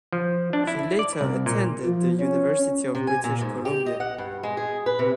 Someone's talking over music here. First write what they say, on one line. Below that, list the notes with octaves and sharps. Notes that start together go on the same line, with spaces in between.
He later attended the University of British Columbia.
F3
D4
E4
D5
C2
A#2
F3
C#4
C3
G#5
A#2
G#2
G4
D#5
F#5
G2
G#3
G#4
B4
C3